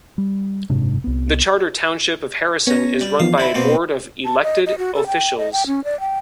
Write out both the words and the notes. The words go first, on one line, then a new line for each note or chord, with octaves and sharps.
The Charter Township of Harrison is run by a board of elected officials.
G3
F#1 G#2 C3 D4
C2 B3
B3 C#4 A#5
G3
E3 F3 B3 F5
D3 E4 B5 A6
B2 A#3 C4
A5
D#5
D#5
F#4
A4
G5
D#5
G5
C#4
D5
G5